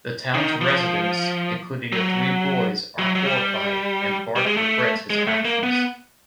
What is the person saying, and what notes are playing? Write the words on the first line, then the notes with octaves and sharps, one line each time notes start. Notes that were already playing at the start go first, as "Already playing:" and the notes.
The town's residents, including the three boys, are horrified and Bart regrets his actions.
D#3
F3
F#3
F#3
F#3
G3
G3
G#3
A3
G#3
A3
A#3
B3